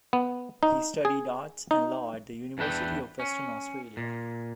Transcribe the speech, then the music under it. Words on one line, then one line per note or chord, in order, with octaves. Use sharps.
He studied Arts and Law at the University of Western Australia.
B3
D#4
G#4
D#4
E2 E3 D4 B4 G5
C#4
A#2